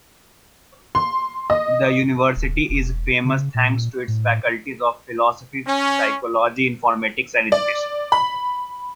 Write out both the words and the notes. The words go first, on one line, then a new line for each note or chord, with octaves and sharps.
The University is famous thanks to its faculties of Philosophy, Psychology, Informatics and Education.
C6
D#5
D1
E1
C#3
A#2
A2
C#4
D5
B5